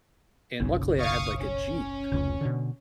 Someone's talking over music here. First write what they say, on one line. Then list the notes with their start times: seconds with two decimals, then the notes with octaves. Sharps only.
and luckily I had, like, a Jeep
0.60 F#1 B1 C#3
0.98 F5 C#6 D#6
1.37 C#4
2.12 F1 C#2
2.41 B2 D3